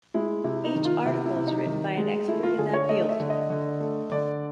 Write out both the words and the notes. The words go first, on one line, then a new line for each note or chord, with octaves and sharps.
Each article is written by an expert in that field.
G#3 E4
C3 E4
D#4
D#3
F4
C3 E4
E4
C3
D#4
D#3
G#3
A3 E4
F4
D3 G#4
C#5
A3 D#5
E5
D3
D#5
D3
A3
D3 D5